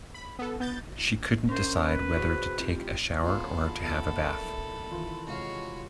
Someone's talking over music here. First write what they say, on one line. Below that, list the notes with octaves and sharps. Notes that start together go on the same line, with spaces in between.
She couldn't decide whether to take a shower or to have a bath.
B5
B3 A4
B3 G6 A6
C#4 A#4 C5
B4
F#4 G#4 C5
C4 F4 G4
B3 F4 G#4 A4 D#5 F5 B5
A3 B3 A4 F#5
A#4 D5
D#3 E3 F4
C3 G#3 F#4 C#5 F5 A5